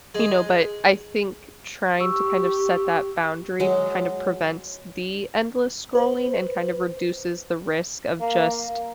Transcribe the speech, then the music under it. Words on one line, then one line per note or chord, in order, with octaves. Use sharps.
You know, but I think trying to, kind of, set that boundary, kind of, prevents the endless scrolling and, kind of, reduces the risk of, just,
G#3
G4 C#6 E6
F#3 G#3
B4 C5
A#3